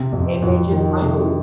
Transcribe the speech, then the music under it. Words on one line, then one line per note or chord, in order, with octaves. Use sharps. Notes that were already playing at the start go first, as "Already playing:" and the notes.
And they just finally
Already playing: C3
F2
F2
D#3
C3